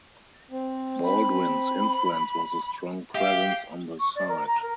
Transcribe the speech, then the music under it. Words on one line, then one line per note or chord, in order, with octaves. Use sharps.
Baldwin's influence was a strong presence on the site.
C4
B5
G4 E5 F5
C#6
D5
A#4
A#5
A#4